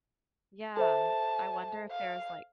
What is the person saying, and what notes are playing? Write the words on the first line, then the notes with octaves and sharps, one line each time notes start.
Yeah. I wonder if there's, like
A4 C5 E5 A5
F5